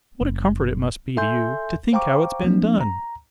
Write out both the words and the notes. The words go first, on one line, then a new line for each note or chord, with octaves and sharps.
What a comfort it must be, to you, to think how it's been done!
F#1
A4 E5 G#5 C6 G6
C5 F5 G5 A#5 C#6 D6
F3 A#3 C4 D4
A#5